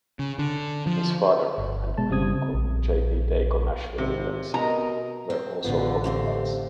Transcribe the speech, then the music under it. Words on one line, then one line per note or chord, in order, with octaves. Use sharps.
His father and an uncle, J. P. Dake of Nashville, Tennessee, were also homeopaths.
C#3
D3
F3
G1
B2 G#3 A5
G1 C#3 G3 C4 D#6 G#6
A#1
G#1 C3
B2 A#4 D#5 A#5
C4
A1 B2 D3 B3 D4 F4
C3 A3 C4 F5